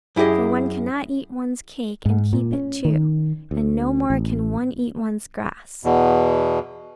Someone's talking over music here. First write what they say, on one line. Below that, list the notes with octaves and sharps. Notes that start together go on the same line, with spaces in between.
For one cannot eat one's cake and keep it too; and no more can one eat one's grass.
F#2 E4 G4 G#4 D#5
G#2
A#2
C#4
D#3
D2
A1
E2 B2